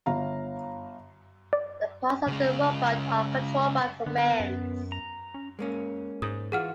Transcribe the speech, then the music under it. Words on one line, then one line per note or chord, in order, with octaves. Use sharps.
The parts of the robot are controlled by commands.
G1 F5 A#5
D5
C#3 G#3
D3 B3
F#2
A#5
C#4
G#3 A#3 C#4
G#2 D#6
E3 F4 F#4 G#4 F#5 F6